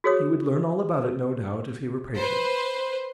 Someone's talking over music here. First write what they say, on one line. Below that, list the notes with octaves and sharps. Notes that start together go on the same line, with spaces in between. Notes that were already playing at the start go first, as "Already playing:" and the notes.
He would learn all about it, no doubt, if he were patient.
F#4 G#4 C#5 D#6
B4 C5